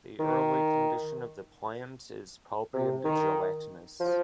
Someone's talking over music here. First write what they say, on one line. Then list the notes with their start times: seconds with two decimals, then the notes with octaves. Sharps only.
The early condition of the plant is pulpy and gelatinous.
0.19 D#3
2.74 C3
3.05 D#3
4.00 F3